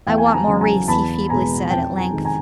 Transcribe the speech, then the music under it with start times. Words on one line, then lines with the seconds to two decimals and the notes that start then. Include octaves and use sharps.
"I want Maurice," he feebly said, at length.
0.07 E2 F5 G5
0.18 G#5
0.26 A5
0.33 G#5 A#5
0.47 C#3 F#3
0.61 G#5 A#5
0.88 E2 A5 B5
1.29 B2 G#3 G#5 A#5
1.70 F2 G5 A5
1.97 G#5 A#5
2.12 C3 D#3 G#3
2.25 G#5 A#5